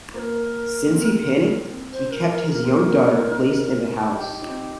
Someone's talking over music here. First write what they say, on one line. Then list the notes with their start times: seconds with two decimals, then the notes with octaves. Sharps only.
Since he panicked, he kept his young daughter placed in the house.
0.14 A#3 C5
0.18 A#4
0.87 A#3
0.93 C4
1.72 C4
1.92 C5
2.11 A#4
2.31 A#4
2.51 A#3 A#4
2.64 C4
2.76 A#3
2.91 C4
3.30 D#4
4.09 D#4 G4
4.42 D#4
4.48 C4